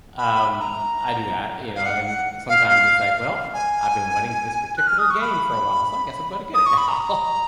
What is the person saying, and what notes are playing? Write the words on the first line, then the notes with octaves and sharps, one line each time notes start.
Um. I do that, you know, and sometimes it's like, "Well, I've been wanting this particular game for a while so I guess I'm gonna get it now."
B5
A#5
F5
F#5
F#5
F5
F5
G#5
F#6
F6
D#6
C#6
B5
D#6
C#6
B5
A#5